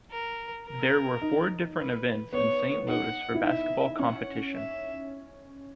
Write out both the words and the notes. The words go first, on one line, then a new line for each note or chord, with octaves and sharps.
There were four different events in Saint Louis for basketball competition.
A#4
A#4
D#4
B4
B3 C#5
D#4 F#5
E4
D#4 E5
C#4 F#5
E5